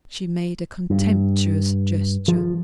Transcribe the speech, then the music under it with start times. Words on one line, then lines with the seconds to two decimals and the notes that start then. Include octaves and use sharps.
She made a contemptuous gesture.
0.90 G2
2.28 F3